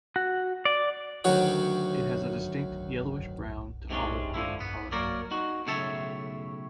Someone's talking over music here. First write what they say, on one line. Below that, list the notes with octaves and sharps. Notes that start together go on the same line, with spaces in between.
It has a distinct yellowish-brown to olive-green colour.
F#4
D5
D2 D#3 F#3 F#4 C#5
G#2 C3 G#3 C#4 D4
D3 F3 E4
B3
F#3 A#3 A#4 C#5 D5
D#4 F#4
B1 A2 C#3 C#5 E5 A5